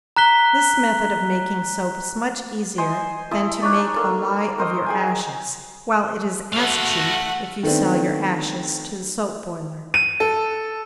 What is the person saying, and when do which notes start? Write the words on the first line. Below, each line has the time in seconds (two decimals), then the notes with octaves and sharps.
This method of making soap is much easier than to make a lye of your ashes, while it is as cheap, if you sell your ashes to the soap-boiler.
0.17 A#5 F#6 B6 G7
2.78 C5 D#5 G#5 C6
3.31 E4 A5 C6 D#6
3.62 D4 D#4 C#5 D5
3.96 A#3 A4 C#5
4.58 A#4 C5 D#5
4.86 G#4 G5 G#5
6.53 A3 F#4 F5 F#5
7.63 D#3 A3 B3 C4 D4
9.94 D#7
10.20 A4